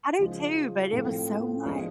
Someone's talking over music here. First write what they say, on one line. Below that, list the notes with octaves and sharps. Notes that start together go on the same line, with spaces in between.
I do too, but it was so much.
C#3 F3 G#3
A2 F3 A3 C4
F3 G#3 B3 D4